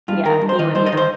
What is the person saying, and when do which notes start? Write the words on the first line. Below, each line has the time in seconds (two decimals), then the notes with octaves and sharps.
Yeah, you and you.
0.08 G2 F4
0.25 D#3 A#4
0.42 G2
0.49 C5
0.59 D#3 D#5
0.75 G2 C5
0.86 D#5
0.92 D#3
0.97 C5